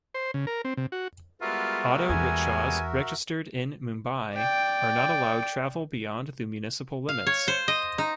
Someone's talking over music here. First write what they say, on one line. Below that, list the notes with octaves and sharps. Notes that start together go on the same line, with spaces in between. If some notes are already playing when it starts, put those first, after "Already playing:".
Auto rickshaws registered in Mumbai are not allowed travel beyond the municipal limits.
C5
C#3
A#4
C4
C3
F#4
G3 G#3 B3 F4 F#4 A#4 E5
E2 G#5
D5 G5
F5
C#5
C5
D#5
D#4